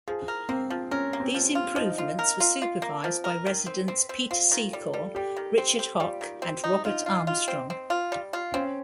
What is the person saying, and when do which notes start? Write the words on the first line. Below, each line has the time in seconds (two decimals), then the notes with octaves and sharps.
These improvements were supervised by residents Peter Secor, Richard Houck and Robert Armstrong.
0.08 F3 G#4
0.28 A#4
0.49 A#3 C4
0.70 F3
0.91 C#4 A#4
1.13 A#3
1.20 C4
1.34 F3
1.55 F4
1.76 F3 D#4
1.98 F4
2.19 A#4
2.40 F4
2.62 F4
2.82 A#3
3.04 F3
3.24 A#4
3.46 D#3
3.66 C4
3.88 C4
4.09 C4
4.31 C4 F4
4.51 D#3
4.73 G3
4.94 G3
5.15 G3 G4
5.36 D#3
5.58 C4
5.79 C4
5.99 G3 F4
6.21 D#3
6.42 C4
6.64 D#4
6.85 D#4 F4
7.06 F4
7.27 F4
7.48 C4
7.70 C4
7.90 F4
8.12 G3
8.33 F4
8.54 C4 C#4